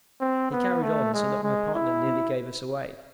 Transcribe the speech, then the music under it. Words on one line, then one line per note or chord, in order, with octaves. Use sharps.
He carried on so that my partner nearly gave us away.
C4
B3
A3
G#3
G#3
E4